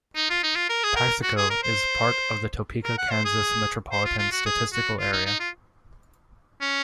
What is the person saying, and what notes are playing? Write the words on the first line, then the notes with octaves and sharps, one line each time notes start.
Paxico is part of the Topeka, Kansas Metropolitan Statistical Area.
D#4
F4
D#4
F4
A#4
G#4
A#4
F#4
G#4
A#4
C5
A#4
F#5
C5
G#4
C5
F4
F4
F#4
G#4
F#4
F4
D#4
D#4
F4
C#4